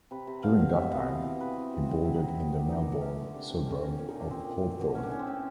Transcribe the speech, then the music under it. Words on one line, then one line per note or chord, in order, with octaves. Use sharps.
During that time he boarded in the Melbourne suburb of Hawthorn.
C3 B4
C3
B2 F5
B2
C3 E5
B3 F5
E3 D#5
F5
E3
D#5
C3 B4
C4
C#3 F#4
F#4
C4
F#4
C3 E4
D#4
B3
E4
D#3
D#3
D4
E3 D#4
E3 D4
D3 C#4
D3
C3 D4
C3
D3 C#4
D3 C#4
A#2 C#4
A#2 D#4
D4
A#2 C4
A#2
B2
B2
A2 C#4
D4
A2 C#4
C4
A2 C#4